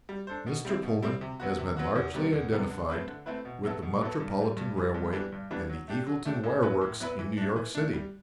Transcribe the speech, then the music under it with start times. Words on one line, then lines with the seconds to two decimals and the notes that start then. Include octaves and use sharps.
Mr. Pullman has been largely identified with the Metropolitan Railway and the Eagleton Wire Works in New York city.
0.09 G3
0.27 D4 A4 C5
0.47 B2
0.65 G3 C4 E4
0.83 B2
1.02 G3 C4 E4
1.21 C3
1.40 F#3 B3 F#4
1.58 C3
1.77 F#3 B3 F#4
1.96 E2
2.14 C3 G3 B3
2.33 E2
2.52 C3 G3 B3
2.70 D3
2.89 A3 C4 E4 B4
3.08 D3
3.26 A3 C4 E4 B4
3.45 B2
3.63 F#3 B3 E4 A4
3.82 B2
4.01 F#3 B3 E4 A4
4.20 G2
4.38 E3 G3
4.57 G2
4.76 E3 G3
4.94 G2
5.13 E3 G3 B3 D4
5.32 G2
5.51 E3 G3 B3 D4
5.69 F#3
5.88 A3 D4 G4
6.07 F#3
6.25 A3 D4 G4
6.43 A2
6.63 F#3 B3 E4 B4
6.81 A2
7.00 F#3 B3 E4 B4
7.19 E3
7.37 A3 D4
7.56 E3
7.75 A3 D4
7.93 G3